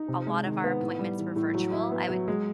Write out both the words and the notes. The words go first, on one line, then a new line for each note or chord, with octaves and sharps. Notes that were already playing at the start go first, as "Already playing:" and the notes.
a lot of our appointments were virtual, I would
Already playing: D#4
C3
G#3
D#3
B3
A2
G3
E3
A2
F#3
E4
B3
F#3
G#3